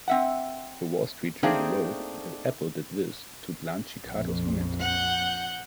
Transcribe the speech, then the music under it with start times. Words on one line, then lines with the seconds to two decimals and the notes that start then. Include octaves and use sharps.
"The Wall Street Journal" wrote that Apple did this to "blunt Chicago's momentum".
0.08 C4 E5 F#5
1.43 A3 A#3 C4 D4 D#4 G#4
4.03 A#1 F2
4.81 F#5 G6